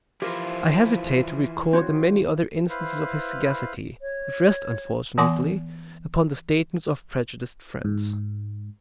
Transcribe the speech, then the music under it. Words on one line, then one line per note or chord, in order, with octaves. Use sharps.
I hesitate to record the many other instances of his sagacity, which rest, unfortunately, upon the statements of prejudiced friends.
E3 F3 E4 F4 G4 A#4 C5
C4 F#4 C#5
E4 B4 C5 F5
C#5
E3 B3 F#5 G#5 C6 D6
G#2